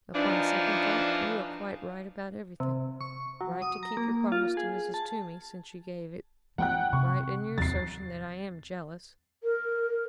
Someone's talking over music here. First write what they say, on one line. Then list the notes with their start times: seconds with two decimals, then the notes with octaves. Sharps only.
Upon second thought, you are quite right about everything--right to keep your promise to Mrs. Toomey, since you gave it, right in your assertion that I am jealous.
0.15 E3 F3 D4 D#4
2.60 C3
3.01 C#6
3.41 F#3
3.62 D#6
3.83 A#5
3.97 A#3
4.32 F4
4.57 G#4
4.94 A5
6.58 E3 A3 F#5 G5 F#6
6.93 C3 C#6
7.58 D1 E2 F#3 A6 C7
9.44 A#4